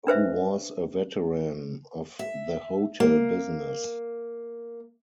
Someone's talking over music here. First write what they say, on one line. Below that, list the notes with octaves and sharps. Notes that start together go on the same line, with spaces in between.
Who was a veteran of the hotel business.
D4 B4 C5 E5
E5
A#3